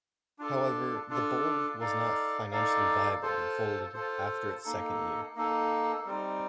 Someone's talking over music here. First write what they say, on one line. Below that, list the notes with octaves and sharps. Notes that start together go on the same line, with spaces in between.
However, the bowl was not financially viable, and folded after its second year.
D4 F4 A4
D4 F4 A4
D#4 A4 D5 F5
D#4 A4 D5 F5
F4 A4 C5
F4 A4 C5
A#3 D#4 A4
A#3 D#4 A4
G3 C4 D#4